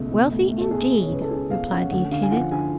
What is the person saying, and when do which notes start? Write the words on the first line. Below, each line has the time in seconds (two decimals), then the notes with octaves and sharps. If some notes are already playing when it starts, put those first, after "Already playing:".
"Wealthy, indeed!" replied the intendant.
Already playing: C#2 B2 A3
0.11 B2
0.31 A3
0.51 A3
0.61 A4
0.71 B2 G#4
0.92 B2
1.02 C#5
1.11 C#2 B4
1.22 A4
1.31 C#4 G#4
1.51 B2 F5
1.71 C#4 F#5
1.91 D2 F#5
2.11 D3 F5
2.22 G#5
2.31 F3 F#5
2.52 D3 G#5